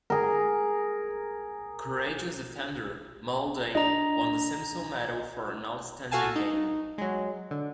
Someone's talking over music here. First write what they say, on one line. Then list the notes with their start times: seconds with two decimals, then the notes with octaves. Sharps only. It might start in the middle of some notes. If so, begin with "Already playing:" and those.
Courageous defender, Mal Day, won the Simpson Medal for an outstanding game.
0.10 G#4 A#4
3.75 D4 D#5 A#5
6.11 F#4 A4 F5 G#5 A5
6.36 D#4
6.98 F#3 G#3
7.51 D3